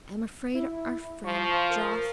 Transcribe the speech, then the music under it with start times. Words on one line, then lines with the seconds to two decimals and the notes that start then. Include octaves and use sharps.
I am afraid our friend Jos.
0.54 E4
1.25 F3 C#6
1.70 A#4